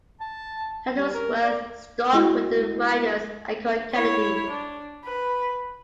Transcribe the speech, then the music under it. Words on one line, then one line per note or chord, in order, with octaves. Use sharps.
Shuttlesworth stuck with the Riders and called Kennedy.
A5
G3
A#4
D5
G#3 E4 F#4
E4 C#5
D4
B4